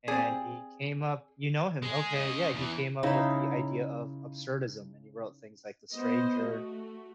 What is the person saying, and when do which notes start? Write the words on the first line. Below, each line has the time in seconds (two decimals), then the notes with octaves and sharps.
and he came up You know him, okay? Yeah, he came up with the idea of absurdism, and he wrote things like The Stranger,
0.08 C4 G#4 D5
1.83 G#3 G#4
2.16 C#3 D#5
2.55 E2 E3
3.03 C#3 D#4 E4
5.94 B3 C5 D#5
6.40 A3 F#4